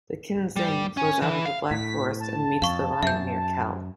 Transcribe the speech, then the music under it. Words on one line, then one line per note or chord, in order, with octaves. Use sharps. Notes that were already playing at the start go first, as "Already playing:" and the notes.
The Kinzig flows out of the Black Forest and meets the Rhine near Kehl.
G3
C#4
E3
F5
A2 B6
A5
F2 F5 C#6
F#2 E5 G6